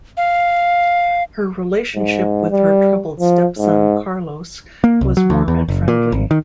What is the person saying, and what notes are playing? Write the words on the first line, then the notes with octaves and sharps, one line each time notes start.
Her relationship with her troubled stepson Carlos was warm and friendly.
F5
G#2
G3
F3
G#2
A#3
C2
F#3
D2
E2
F#1
A#2
G#1
D#3